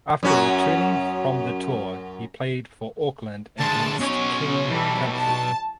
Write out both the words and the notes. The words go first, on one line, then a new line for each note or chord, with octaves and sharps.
After returning from the tour he played for Auckland against King Country.
F#2 C#4 F#4
D2 G#3 A5
B2 C#4 C#5
E3 G3 A4
A5